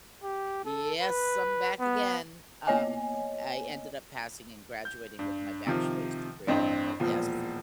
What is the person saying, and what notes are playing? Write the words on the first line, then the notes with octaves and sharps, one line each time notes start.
"Yes, I'm back again." Um, I ended up passing and graduating with my bachelor's degree, but yes.
G4
A4
B4
B3
A#3 B3 C#5 D#5 G#5
G6
G2
C3 D#3 F3
A1 G2 C4 D#5
E1 A#2 F3